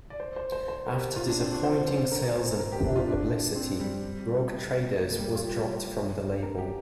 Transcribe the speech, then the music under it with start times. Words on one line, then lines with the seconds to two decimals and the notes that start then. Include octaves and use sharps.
After disappointing sales and poor publicity, Rogue Traders was dropped from the label.
0.10 D5
0.20 C5
0.36 C5
0.52 C5
0.68 C5
0.86 A#4
0.92 G4
1.16 F4
1.27 D4
1.40 C4
1.52 D4
1.63 C5
1.88 C5
2.12 A#4
2.36 C5
2.59 A#4
2.72 G4
2.84 D4
2.96 F4
3.08 D4
3.55 C4
3.80 G3
4.99 A#3
5.11 A#3
5.19 G3
5.23 A#3
5.36 F4
5.47 G4
6.32 G4
6.43 A#4
6.58 G4